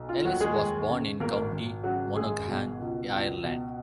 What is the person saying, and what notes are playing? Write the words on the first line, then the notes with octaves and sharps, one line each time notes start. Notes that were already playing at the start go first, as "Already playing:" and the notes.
Ellis was born in County Monaghan, Ireland.
Already playing: B1
F4
D#2 F#3 F#4
G#3 G#4
D#2
C#3
G#1 A#3 A#4
G#1
C#3 F#3 F#4
G#1 G#3 G#4
B2
C#2
C#2
B2